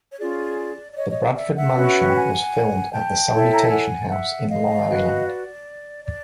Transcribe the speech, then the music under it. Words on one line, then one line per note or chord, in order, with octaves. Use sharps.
The Bradford Mansion was filmed at the Salutation House in Long Island.
C#5
C#4 F4 G#4 D5
D5
C#5 D#5
C#5 D#5
D5 E5
E5 F#5
C#4 F#4 B4
G5
F#5 G#5
G5 A5
E4 A4 C#5
A#5
A5
F#5 G#5
E5 F#5
D#5 F5
F#4 B4
D5
D5